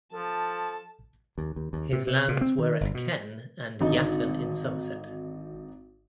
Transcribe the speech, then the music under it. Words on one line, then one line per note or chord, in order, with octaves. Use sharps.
His lands were at Kenn and Yatton in Somerset.
F3 A4 A5
D#2
D#2
D#2
C3
C3
A#2
C4
D#3
G1
B2
G#1 D3 D#4